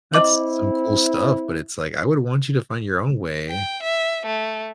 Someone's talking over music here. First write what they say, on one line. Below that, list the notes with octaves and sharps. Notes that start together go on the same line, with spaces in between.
that's some cool stuff, but it's like, I would want you to find your own way.
C4 E4 D#5 D6 F#7
G5
E5
A3